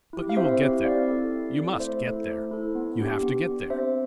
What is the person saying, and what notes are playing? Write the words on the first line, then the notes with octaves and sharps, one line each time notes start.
But you will get there; you must get there; you have to get there.
E4 G4
F5
C4 C5 E5
E4 G4
C4 D5 F5
E4 A4
C4
E4 A4
A3 C5 E5
E4 A4
A3
E4 A4
B3
D4 G4
B3
D4 G4
C4 C5 E5